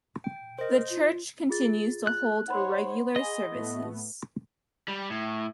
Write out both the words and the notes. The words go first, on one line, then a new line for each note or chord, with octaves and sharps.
The church continues to hold regular services.
G5
A#4 C5 D#5
F4
F4 G#4 A6
F#6
D#4 C5 C#5 F#5 B5 C6
G#4 D#5
A2 A3 B3
G3
A2